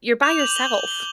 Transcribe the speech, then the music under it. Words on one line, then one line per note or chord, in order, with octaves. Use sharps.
you're by yourself.
D6 G6 F7
F#7
G7
G7